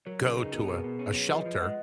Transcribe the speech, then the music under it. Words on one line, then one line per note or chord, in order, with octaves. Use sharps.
go to a a shelter.
F#3 A#4 C#5
C#3 G#4 B4
D#4 G#4
B3 F#4 A#4
B2 G#4 B4
B2
C#4
F#3
F3 B4 D#5
F3
G#3 D#5 F#5